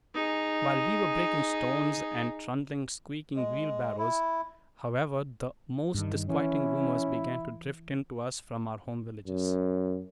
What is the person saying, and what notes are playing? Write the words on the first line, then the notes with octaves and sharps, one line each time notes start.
While we were breaking stones and trundling squeaking wheelbarrows, however, the most disquieting rumors began to drift in to us from our home villages.
D#4 G#4
G#3
E4
G2 D#3
E3 C#4 E4
F#2